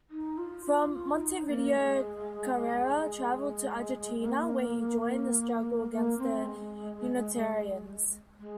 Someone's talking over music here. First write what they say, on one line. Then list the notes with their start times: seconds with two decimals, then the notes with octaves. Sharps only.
From Montevideo Carrera traveled to Argentina where he joined the struggle against the unitarians.
0.10 D#4
0.38 F4
0.65 F4
0.93 F4
1.20 D#4
1.48 A#3
1.76 G#3
4.25 A#3
5.91 A#3
6.18 C4
6.45 G#3
8.39 G#3